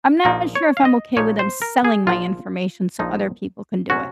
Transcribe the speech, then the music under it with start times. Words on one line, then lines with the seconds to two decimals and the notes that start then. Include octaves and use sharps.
I'm not sure if I'm okay with them selling my information so other people can do it.
0.25 A#1 A#2 F3 A#3 D#4 A#4
0.55 C#5
0.77 F5
0.85 D#5
1.17 A#1 A#2 F3 A#3 D#4 C#5
1.39 C5
1.62 A#4
1.84 G#4
2.07 A#1 A#2 F3 A#3 D#4 F4
2.99 A#1 A#2 F3 A#3 D#4
3.90 C3 F#3 C#4 F#4